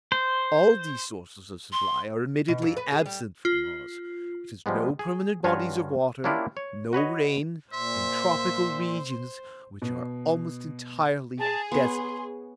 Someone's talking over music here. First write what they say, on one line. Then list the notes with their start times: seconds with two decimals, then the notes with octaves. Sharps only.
All these sources of supply are admittedly absent from Mars, which has no permanent bodies of water, no rain, and tropical regions which are almost entirely desert.
0.12 C5
1.72 C6
2.48 B2
2.62 F2
2.77 B4
2.92 G#4
3.06 G3
3.45 F4
4.66 F3 G3 G#3 B3
4.99 G#4
5.44 G2 C#4 F4 F#4 B4 C#5
6.24 A#3 C#4 D4 E4 F4 G4
6.57 C#5
6.93 F#4 B4 C#5 D#5
7.73 A#2 C5 E5 C6
9.82 B2
11.39 G#4 A5
11.72 B3 C#5 C6